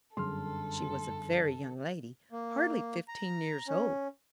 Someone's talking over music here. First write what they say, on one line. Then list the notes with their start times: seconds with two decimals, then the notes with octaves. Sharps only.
She was a very young lady, hardly fifteen years old.
0.17 G1 F#2 D3 F#3 G#4 A4 C6 F6
2.32 A#3
3.08 A#5
3.67 C#4